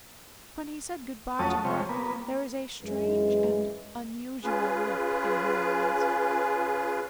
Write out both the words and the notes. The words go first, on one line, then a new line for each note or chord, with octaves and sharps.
When he said good-by to her, there was a strange and unusual look in her eyes.
F2 F#3 A3 C#4 A5 D#6
C3 F3 G3 C#5
A#3 B3
F#2 E3 G#3
C#4 F4 G#4 B4